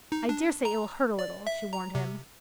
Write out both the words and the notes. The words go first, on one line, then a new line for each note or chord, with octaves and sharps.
"I daresay it will hurt a little," she warned him.
D#4
D4
A#5
D5
E5
A#5
C3